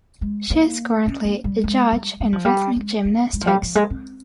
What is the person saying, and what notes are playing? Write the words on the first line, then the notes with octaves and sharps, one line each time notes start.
She is currently a judge in rhythmic gymnastics.
G#3
A#3
C#4
A#3
G3
G#3
G3
G3
F3
G3
G#3
A#3
G#3
F3
G3
F3
G#3
C4